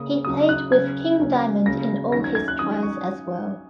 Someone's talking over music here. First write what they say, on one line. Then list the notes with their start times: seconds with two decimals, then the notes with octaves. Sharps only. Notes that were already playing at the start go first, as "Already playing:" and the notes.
He played with King Diamond in all his tours as well.
Already playing: C#3 A#3 C#4 D#6
0.25 C#3 F#3 C#4 D#6
0.49 F#6
0.72 C#3 F#3 C#4 G#6
1.19 C#3 F#3 A#3 C#4
1.66 C#3 F#3 A#3 A#6
2.12 D#3 F#3 C#4 A#6
2.24 G#6
2.35 G#6
2.48 F#6
2.59 D#3 F#3 C#4 D#6
2.83 C#6